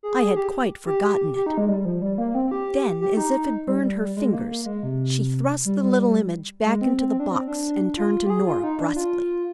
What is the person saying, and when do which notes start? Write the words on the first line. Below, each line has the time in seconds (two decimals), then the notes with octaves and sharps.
"I had quite forgotten it." Then as if it burned her fingers she thrust the little image back into the box and turned to Norah brusquely.
0.03 G#4
0.19 G#4
0.36 G4
0.86 G4
1.36 G4
1.46 D#4
1.58 G#3
1.68 G3
1.85 F3
2.02 G3
2.18 A#3
2.35 C4
2.51 G4
3.01 G4
3.17 D#4
3.67 G3
3.84 G3
4.00 G3
4.17 G#3
4.33 A#3
4.49 A#3
4.66 G#3
4.83 C3
5.65 G3
5.82 G3
6.65 G#3
6.81 C4
6.98 C4
7.09 C4
7.20 D4
7.31 C4
7.47 D4
7.97 F4
8.26 G4
8.30 G#4
8.47 F4
8.63 D#4
8.80 D4
8.96 F4